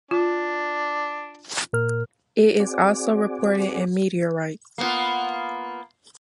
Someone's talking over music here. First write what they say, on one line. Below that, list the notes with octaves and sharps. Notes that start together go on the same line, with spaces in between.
It is also reported in meteorites.
D4 F4
A#2 A#4 F6
C4 F#4 G#4 D5
A#3 B3 F4